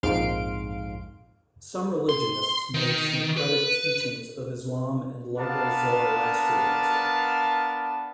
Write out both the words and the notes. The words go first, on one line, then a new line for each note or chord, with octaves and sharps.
Some religionists made syncretic teachings of Islam and local Zoroastrianism.
A#1 F2 G#2 F5 C6 D7
C6
D#3
B4
B3 D4 A#4 F5 A5